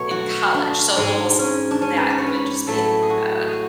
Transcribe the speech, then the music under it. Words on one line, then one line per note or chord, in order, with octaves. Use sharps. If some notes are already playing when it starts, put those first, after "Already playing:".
in college, so almost that even just made like the
Already playing: B2 F#3 A3 C#5
F#4
D4
G#2 G#3
C#4
D4
C#4
B4
D5
C#5
B4
C#5
A2 F#3 A3 A4
G#4
F#4
G#4
F#4